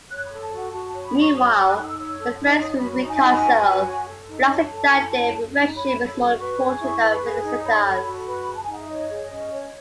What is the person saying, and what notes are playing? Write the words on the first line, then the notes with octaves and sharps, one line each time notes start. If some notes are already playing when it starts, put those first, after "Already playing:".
Meanwhile, the friends reconcile, realizing that their friendship is more important than Felicitas.
C#5 F#6
B5
A4
A5
F#4 F#5
F#4 A5
A5
C#5
B5
F#4
C#6
C#5 D#6
A4 E6
F#6
D#4 F#6
E6
C#5
A4
D#4
C#5 D#6
F#4 B5
B5
D#4
G#5
F#4
B4
F#4
C#5
A4
D#4
C#5 A5
A4
E4
C#5
A4
D#4
C#5 B5
A4
F#4
B4 C#6
G#4
E4
B4
G#4
D#4
C#5 B5
A4
F#4
B4
G#4
A5
G#5
D#4 F#5
E5
C#5 D#5
G#4
C#4
C#5